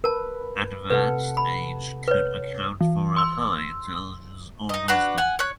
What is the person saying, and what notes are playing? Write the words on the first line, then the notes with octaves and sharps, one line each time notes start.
Advanced age could account for a high Intelligence or Wisdom.
A#4 B4 A5
C3 A4 B4 F#5
B5
B4 C#5
E3
C6 E6
D#4 D#5
D4 F#4 B4
F#5 G#5
C#5 F#6